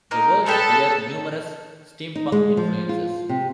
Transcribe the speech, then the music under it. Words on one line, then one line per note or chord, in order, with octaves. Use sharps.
The works bear numerous steampunk influences.
A#3 D#4 A#4
B3 D4 G4 A4
D#4
G#3
F3
F4
C3